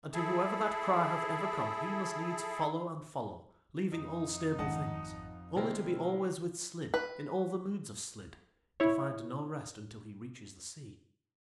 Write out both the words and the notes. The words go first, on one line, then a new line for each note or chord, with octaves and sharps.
And to whoever that cry hath ever come he must needs follow and follow, leaving all stable things; only to be always with Slid in all the moods of Slid, to find no rest until he reaches the sea.
E4 G#4 A4
F2 D#4
G#1 D#5 F#5 A5
B2 D3 G#3 C4 E4 A#4
B4
E4 C#5